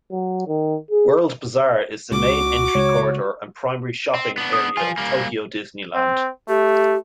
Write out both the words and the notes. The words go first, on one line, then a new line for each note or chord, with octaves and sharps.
World Bazaar is the main entry corridor and primary shopping area of Tokyo Disneyland.
F#3
D#3
G#4
C#2 F#4 D6
C#2 C#5
C4
B3 D4
D#6
F3 F4 G#5
G3 A#3
C4
A3 G4